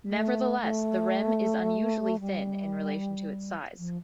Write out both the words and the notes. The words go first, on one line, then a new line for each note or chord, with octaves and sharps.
Nevertheless, the rim is unusually thin in relation to its size.
A3
A3
G3
F3